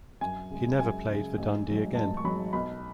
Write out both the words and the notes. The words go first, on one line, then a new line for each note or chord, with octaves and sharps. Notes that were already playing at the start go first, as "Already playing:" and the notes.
He never played for Dundee again.
F#2 G#5
C#3 G#3
F#2 G#5
C#3 G#3
A1
G#2 F#3
A1 A5
C#6
G#2 F#3 B5
B1 B5